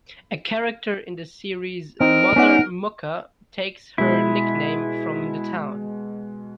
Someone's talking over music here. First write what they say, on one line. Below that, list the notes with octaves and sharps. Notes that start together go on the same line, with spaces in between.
A character in the series, Mother Mucca, takes her nickname from the town.
C4 D#4 A#4
B3 C#4 D#4 D5 F#5
B2 G#3 E4